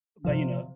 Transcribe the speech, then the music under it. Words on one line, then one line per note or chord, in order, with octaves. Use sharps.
but, you know
C3 F3